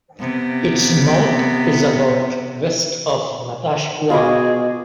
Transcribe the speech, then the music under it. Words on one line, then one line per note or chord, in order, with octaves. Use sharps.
Its mouth is about west of Natashquan.
C3 B3
B2 F4 F#4 G#4 D#5 D6